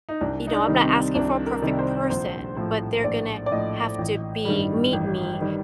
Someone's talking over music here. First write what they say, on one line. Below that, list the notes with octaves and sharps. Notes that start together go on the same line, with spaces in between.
you know, I'm not asking for a perfect person, but they're gonna have to be meet me
D#4
C2 D4
D#4
D4
C3 D#3 G3
C4
C2 D4
A#4
C3 D#3 G3
C5
A#1 C5
A2 F3 C5
A#1 D5
D5
A2 F3 D#5
A1
G2 D#3 G3
A1
D#3 G3